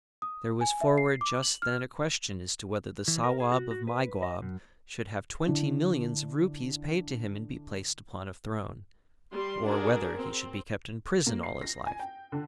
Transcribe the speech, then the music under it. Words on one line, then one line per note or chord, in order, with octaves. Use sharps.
There was forward just then a question as to whether the Sawab of Mygawb should have twenty millions of rupees paid to him and be placed upon a throne, or whether he should be kept in prison all his life.
D#6
G#5
E5
C7
D6
F#7
F6
E3
A#4
G#4
F#4
F#4
B4
D#5
F#2
D3 D4 E4
G3 C6
D4 F#4 G#4 A#4
C4
A#3
C7
A#6
G#5
G5
D3